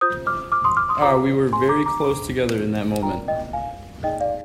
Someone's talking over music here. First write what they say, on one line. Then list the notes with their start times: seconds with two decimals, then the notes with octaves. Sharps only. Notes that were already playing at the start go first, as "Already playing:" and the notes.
Ah, we were very close together in that moment.
0.01 F4 C5 D#6 G6
0.27 D6 F6
0.52 D6 F6
0.64 C6 D#6
0.77 D6 F6
0.89 C6 D#6
1.02 F4 G#4 C5 A#5 D6
1.53 G#5 C6
1.69 A#5 D6
1.86 A#5 D6
2.03 D4 G#4 C5
3.03 F4 A#4 D5 G5 A#5
3.28 D#5 G5
3.53 F5 G#5
4.04 D#4 G#4 D5 D#5 G5
4.20 D5 F5